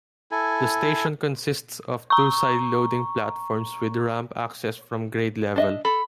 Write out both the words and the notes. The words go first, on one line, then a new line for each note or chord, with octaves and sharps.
The station consists of two side-loading platforms with ramp access from grade level.
E4 A4 G#5
A#5 C#6
D4 D#5 E5
A4 B5